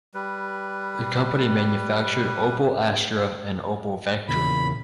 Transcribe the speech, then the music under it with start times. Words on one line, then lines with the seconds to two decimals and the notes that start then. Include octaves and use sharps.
The company manufactured Opel Astra and Opel Vectra.
0.14 G3 B4
4.28 E2 A#2 C#3 B5